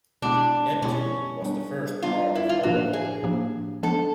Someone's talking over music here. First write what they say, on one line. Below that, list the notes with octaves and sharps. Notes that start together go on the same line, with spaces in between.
"Neptune" was the first part of "Overlord".
B2 G#3 B3 D4 E4 G4
B2 G#3 B3 C#4 E4 G4
G3 B3 D4
G3 B3 D4 F4
E4
F4
A2 F3 A#3 D4 F#4 G4
G#4
A2 F3 A#3 D4 G4
F3 G#3 B3 D4 A4